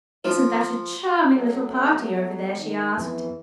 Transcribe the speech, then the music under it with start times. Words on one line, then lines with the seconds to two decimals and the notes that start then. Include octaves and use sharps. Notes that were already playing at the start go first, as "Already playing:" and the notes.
"Isn't that a charming little party over there?" she asked.
0.25 F3
1.34 F#3 A3 B3 D4
2.59 D#3
2.97 F2 E3 B3